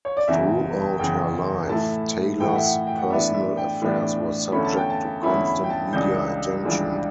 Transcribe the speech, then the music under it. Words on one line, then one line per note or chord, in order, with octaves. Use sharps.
Throughout her life, Taylor's personal affairs were subject to constant media attention.
C#5
D5
F#1 E2 C#3 E3 E5
F#1 E2 C#3 E3 G5
A2 E3 A3 E4 A5
A2 E3 A3 E4 G5
F#5
E5
F#5
G5
F#5
A2 E3 B3 D4 E5
E5
G5
A2 E3 B3 D4
E2 D3 A3 C#4 E4 B5
A5
G5
A5
E2 D3 A3 C#4 E4 B5
B5
G5
A5
C#2 C#3 E3 G3 D4 G6
C#2 C#3 E3 G3 D4